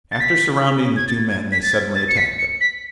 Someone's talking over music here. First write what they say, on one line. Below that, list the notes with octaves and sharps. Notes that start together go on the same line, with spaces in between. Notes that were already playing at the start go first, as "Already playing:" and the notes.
After surrounding the two men they suddenly attacked them.
A6
B6
G#6
A6
G#6
B6
A6
G#6
A6
C#7
B6
C#7
B6